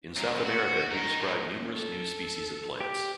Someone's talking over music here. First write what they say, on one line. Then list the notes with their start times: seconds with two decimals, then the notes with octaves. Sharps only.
In South America he described numerous new species of plants.
0.17 F#2 A#2
0.46 F#4
0.92 D#3 D#4
1.21 A2
1.55 C#4
1.74 A4
2.80 G4